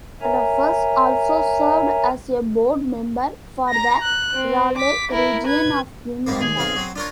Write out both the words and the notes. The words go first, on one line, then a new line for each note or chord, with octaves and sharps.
Rufus also served as a board member for the Raleigh region of Union Bank.
A#4 C#5 E5 G#5 A#5
A#5 A#6
F#6
C4
D6 B6
E4 A#4
B4 G#6
G#2 G3 A#3
D#2 G#4
B1 C4 F5
F#3 C4
D4 F4 A#4 C#5